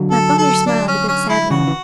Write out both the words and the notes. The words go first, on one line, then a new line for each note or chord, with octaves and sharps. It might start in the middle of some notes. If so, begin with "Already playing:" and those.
My father smiled a bit sadly.
Already playing: D3 F#3
A4
A4
D4
C#4
C#4
E4
C#3 E3 F#4
E3